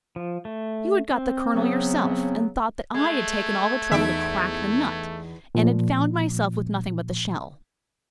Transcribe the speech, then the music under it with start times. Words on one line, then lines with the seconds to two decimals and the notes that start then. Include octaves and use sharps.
You had got the kernel yourself, and thought that I had taken all the trouble to crack the nut and had found myself with nothing but the shell.
0.16 F3
0.45 A3
1.10 C4
1.55 C#3 F#3 B3
2.94 G#3 A3 G#6
3.91 E2 D#4 E4 E5 D7
5.55 A#2 F3